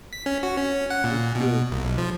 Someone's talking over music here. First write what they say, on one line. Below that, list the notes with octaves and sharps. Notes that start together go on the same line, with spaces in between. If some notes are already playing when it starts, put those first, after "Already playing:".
it's good.
B6
C#4
F#4
C#4
F#5
A#2
B2
C2
B1
F3